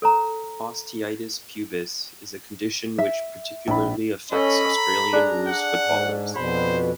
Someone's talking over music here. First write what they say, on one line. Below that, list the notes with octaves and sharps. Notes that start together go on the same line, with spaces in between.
Osteitis pubis is a condition which particularly affects Australian rules footballers.
A4 C#5 A#5
E5
A#1 B5
C#4 A4 C#5 D#5 B5
A#5
D4 G#4
F#5
G#2
F2 B2 C5 B5